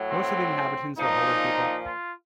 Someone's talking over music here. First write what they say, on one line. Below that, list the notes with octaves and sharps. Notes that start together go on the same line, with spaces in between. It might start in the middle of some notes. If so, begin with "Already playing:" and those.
Most of the inhabitants are older people.
Already playing: A2 F#3
C4
A#2 F3 D#4
F4